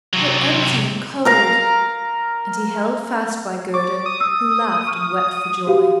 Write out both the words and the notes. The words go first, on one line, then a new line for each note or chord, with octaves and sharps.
"How empty and cold!" And he held fast by Gerda, who laughed and wept for joy.
C3 F#3
A#4 F5 A#5
C#6 D6 A6
D#6
E6
C#6 F6
F#4 G4 F5